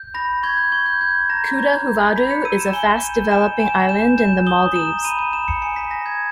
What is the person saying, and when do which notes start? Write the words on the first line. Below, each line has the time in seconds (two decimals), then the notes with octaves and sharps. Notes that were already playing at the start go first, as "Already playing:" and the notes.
Kudahuvadhoo is a fast developing island in the Maldives.
Already playing: G6
0.14 B5 A#6
0.43 C#6 G#6
0.57 G6
0.72 C#6 G#6
0.86 G6
1.01 G6 G#6
1.29 A#5 A#6
1.59 G6
1.88 G6
2.16 B5 B6
2.31 C#7
2.45 E6 D#7
2.59 E7
2.73 G#5 G7
3.03 G6
3.31 G#5 E7
3.60 G#5 E7
3.89 G6 E7
4.18 G6 E7
4.47 D#6 G7
4.75 A#5 E7
5.05 B5 D#7
5.19 D#7
5.33 B5 E7
5.48 C#7
5.62 G#5 C#7
5.76 B6
5.91 G#5 A#6
6.06 G#6